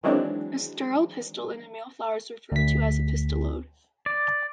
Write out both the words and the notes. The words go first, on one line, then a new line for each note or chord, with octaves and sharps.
A sterile pistil in a male flower is referred to as a pistillode.
D#3 E3 F#3 G#3 C4 D4
D2 B6
D5